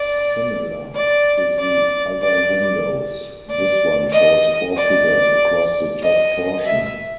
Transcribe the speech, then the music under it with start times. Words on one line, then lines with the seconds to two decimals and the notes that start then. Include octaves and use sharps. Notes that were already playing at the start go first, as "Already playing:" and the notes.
Similar to the other windows, this one shows four figures across the top portion.
Already playing: D5
0.95 D5
1.58 D5
2.22 D5
3.50 D5
4.12 D#5
4.76 D5
6.03 D#5
6.66 E5